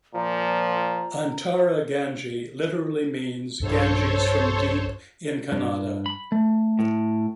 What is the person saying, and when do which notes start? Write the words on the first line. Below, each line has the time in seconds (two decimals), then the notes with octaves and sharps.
Antara Gange literally means "Ganges from deep" in Kannada.
0.15 A#2 F3 A#5
3.60 B1 G2 A4 C5 C#5
5.52 G2
6.06 B5
6.32 A3
6.79 A2